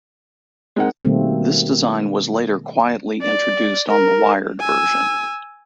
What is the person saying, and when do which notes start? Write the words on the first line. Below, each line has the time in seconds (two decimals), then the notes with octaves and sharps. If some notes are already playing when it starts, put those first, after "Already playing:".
This design was later quietly introduced on the wired version.
0.76 G#3 C4 D#4 A#4 F#5
1.05 B2 D#3 G3 A3 A#3 C4
3.22 D5
3.88 A#4
4.60 G#5 E6